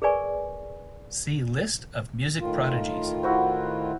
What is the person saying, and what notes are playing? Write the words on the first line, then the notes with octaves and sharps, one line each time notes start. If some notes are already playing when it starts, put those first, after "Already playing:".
See List of music prodigies.
G#4 A#4 B4 D5 G#5 C#6
A2 D#3 F4
E4 F#4 C5